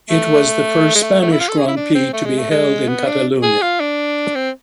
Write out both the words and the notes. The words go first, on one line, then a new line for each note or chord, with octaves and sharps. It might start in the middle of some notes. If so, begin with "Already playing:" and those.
It was the first Spanish Grand Prix to be held at Catalunya.
A3
G#3
A3
A3
E4
F4
A4
G#4
E4
D4
C4
A3
G#3
A3
G#3
B3
D4
G#4
F4
D4
C4